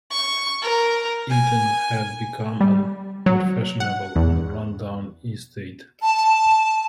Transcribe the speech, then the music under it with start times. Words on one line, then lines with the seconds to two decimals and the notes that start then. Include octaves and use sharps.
Eaton had become "an unfashionable and run-down estate".
0.11 C#6
0.62 A#4
1.30 G#5
2.61 G3
3.26 F#3
3.80 F#5
4.16 E2
6.02 A5